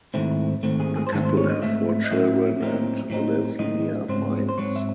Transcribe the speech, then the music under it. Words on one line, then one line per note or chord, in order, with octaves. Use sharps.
The couple have four children and live near Mainz.
G#2 D#3 A3 C4 E4
G#2 D#3 A3 C4
G#4
G#4
C5
G#2 D#3 A3 C4 A4
C5
C#5
D#5
G#2 D#3 A3 C4 E5
D#5
A2 F#3 C4 D#4 E5
A2 F#3 C4 D#4
A2 F#3 C4 D#4
A2 F#3 C4 D#4 D#5
G#2 F#3 C4 C5
C5
G#2 F#3 C4 C#5
E5